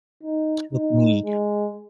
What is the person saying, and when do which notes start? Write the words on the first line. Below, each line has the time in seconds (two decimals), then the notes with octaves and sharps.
took me
0.23 D#4
0.73 D#4
1.23 G#3